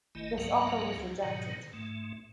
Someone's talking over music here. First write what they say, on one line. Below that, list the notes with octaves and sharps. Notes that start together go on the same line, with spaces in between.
This offer was rejected.
G#1 D#3 A3 E4 D#5
C#2 G#2 F#3 A#3 B3 F#5
G#2 B2 D#3 F#3
G#2 A3